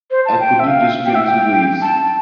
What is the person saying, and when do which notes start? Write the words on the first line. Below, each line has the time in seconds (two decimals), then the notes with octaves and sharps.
I could do this twenty ways.
0.11 C5
0.26 A5
0.40 G5
0.60 E5
0.67 F5
1.06 G5
1.15 E5
1.24 G5
1.82 A5